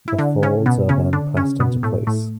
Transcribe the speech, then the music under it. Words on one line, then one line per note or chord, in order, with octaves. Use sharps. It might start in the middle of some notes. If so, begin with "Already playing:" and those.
The folds are then pressed into place.
E4
D3 D4
C#3 C#4
B2 B3
C#3 C#4
D3 D4
C#3 C#4
B2 B3
A2 A3
A2 A3